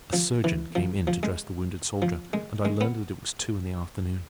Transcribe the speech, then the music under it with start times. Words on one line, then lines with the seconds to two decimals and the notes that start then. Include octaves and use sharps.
A surgeon came in to dress the wounded soldier, and I learned that it was two in the afternoon.
0.13 F3
0.44 E3
0.75 F3
1.07 F3
1.23 G#3
2.02 F3
2.33 G#3
2.65 G#3
2.81 B3